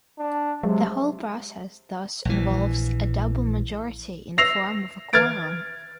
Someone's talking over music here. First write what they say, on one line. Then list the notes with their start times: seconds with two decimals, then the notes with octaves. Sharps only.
The whole process thus involves a double majority in form of a quorum.
0.18 D4
0.63 C3 F#3 G#3
2.25 A#1 E3
4.38 E6 A#6 C7 F7
5.13 F6 G#6 A6 D7